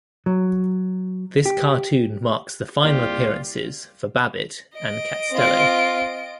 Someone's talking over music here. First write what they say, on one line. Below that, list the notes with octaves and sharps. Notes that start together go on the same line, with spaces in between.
This cartoon marks the final appearances for Babbit and Catstello.
F#3
G4
C2 A#3 F4 G4 D5
D#5 D7
C4 F4